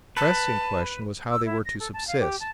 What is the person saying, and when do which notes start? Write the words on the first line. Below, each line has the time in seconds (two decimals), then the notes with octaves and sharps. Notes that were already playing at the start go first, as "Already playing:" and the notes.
The pressing question was how they were to subsist.
0.17 B4 A5
1.29 E6
1.46 E4
1.65 A#6
1.80 A4
1.93 A5
2.07 F5
2.21 G4
2.40 A5